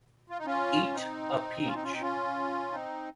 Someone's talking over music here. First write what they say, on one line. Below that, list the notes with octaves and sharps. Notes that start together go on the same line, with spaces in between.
Eat a peach.
F4
D#4
C#4 F4
C4 D#4
C#4 F4
C4 D#4
C#4 F4
C4 D#4
C#4 F4
C4 D#4